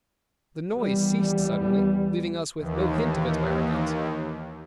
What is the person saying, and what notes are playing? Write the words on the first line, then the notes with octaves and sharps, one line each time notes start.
The noise ceased suddenly, leaving us with no hint of its whereabouts.
D#2 E3 G3 B3
D#2 E3